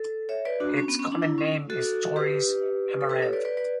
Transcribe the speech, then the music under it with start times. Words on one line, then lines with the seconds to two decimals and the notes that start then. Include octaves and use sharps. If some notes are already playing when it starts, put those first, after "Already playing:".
Its common name is Torrey's Amaranth.
Already playing: A4
0.29 C#5 E5
0.45 B4 D5
0.60 D4 F#4
0.77 C#4
0.88 B3
0.99 C#4
1.12 D4
1.22 E4
1.38 C#4
1.70 F#4 A4
2.16 G4 B4
3.01 A4
3.09 G4 B4
3.22 A4 C#5
3.33 B4 D5
3.45 B4 D5
3.57 B4 D5